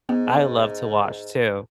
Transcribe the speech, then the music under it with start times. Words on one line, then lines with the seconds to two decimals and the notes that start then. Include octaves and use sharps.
I love to watch too.
0.09 G#2 B3